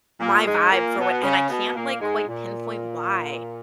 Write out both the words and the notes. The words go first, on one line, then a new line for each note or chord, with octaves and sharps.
my vibe for what and I can't, like, quite pinpoint why.
A#2 A#3
G#2 G#3
A#2 A#3
B2 B3
C#3 C#4
B2 B3
A#2 A#3
G#2 G#3
A#2